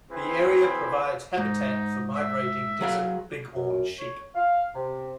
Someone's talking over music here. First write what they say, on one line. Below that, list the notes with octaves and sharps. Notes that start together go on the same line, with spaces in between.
The area provides habitat for migrating desert bighorn sheep.
C4 E4 G#4 B4
G#2 D#4
E5
F#3 G#4 F5
F#2
C#5
F5
C3